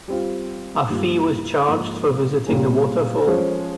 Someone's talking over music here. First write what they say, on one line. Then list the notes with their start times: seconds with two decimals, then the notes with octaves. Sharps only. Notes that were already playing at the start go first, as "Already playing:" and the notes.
A fee was charged for visiting the waterfall.
0.08 G3 C4 F4
0.87 G2 D#3 G3 A#3 F4
1.67 G#2 F3 A#3 D#4
2.47 A#2 G3 A#3 C#4 G#4
3.27 F3 G#3 C#4 G#4 C5